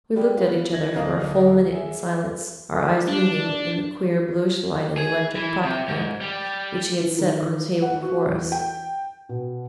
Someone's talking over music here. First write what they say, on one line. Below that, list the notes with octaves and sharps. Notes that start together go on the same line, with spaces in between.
We looked at each other for a full minute in silence--our eyes meeting in the queer, bluish light of the electric pocket-lamp which he had set on the table before us.
G3 G#3 G4
B3 F4
G#6 A#6 F#7
D1 D3 A#3 A#4 D#5 F5
G#4 E5
D4
G#4
E3
C3
G#2
G3
E3
D#3
F#5
F#4
E2
G5
B2